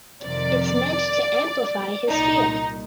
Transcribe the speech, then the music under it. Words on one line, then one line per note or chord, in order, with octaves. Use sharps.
It’s meant to amplify his fear.
F2 C3 D#3 D5
C2 A#2 D#4